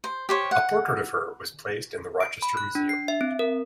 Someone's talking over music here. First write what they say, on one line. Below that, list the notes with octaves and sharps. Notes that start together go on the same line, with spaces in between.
A portrait of her was placed in the Rochester museum.
C5
G4 C5 C#5
F#5
D7
B5
F#6
D4
C7
E5
C4
A#4